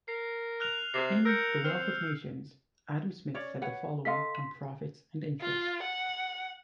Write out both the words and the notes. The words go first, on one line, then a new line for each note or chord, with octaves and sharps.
In "The Wealth of Nations" Adam Smith said the following on profits and interest.
A#4 C7
F6 F#6 F7
C3 C7
A#4 E6 G6 C#7
C4 F6
C#4 C#5 D5
B4 C#5 F#5
A4 D#5 F5 C6 B6
F4
F#5